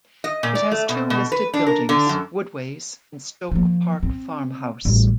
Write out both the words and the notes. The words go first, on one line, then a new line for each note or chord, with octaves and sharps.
It has two listed buildings: Woodways and Stoke Park Farm House.
D#5
A#2
D5
A3
B2
B2
B4
D4
A#4
D3
F#2
F3 A#3
C4
A1 G3